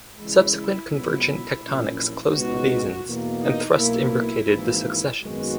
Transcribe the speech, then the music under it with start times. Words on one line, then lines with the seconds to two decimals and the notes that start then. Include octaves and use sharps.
Subsequent convergent tectonics closed the basins and thrust imbricated the successions.
0.17 C#3 E3 G#3 E4
0.89 C#2 B2 F#3 B3
1.62 A#1 A#2 F#3 C#4
2.33 C#2 B2 G#3 B3 D#4 F#4
3.06 E2 B2 A#3
3.42 D#4
3.77 B1 B2 A#3 E4
4.50 G#1 G#2 E3 A#3
5.21 G#1 F#2 D#3 G#3 B3 F#4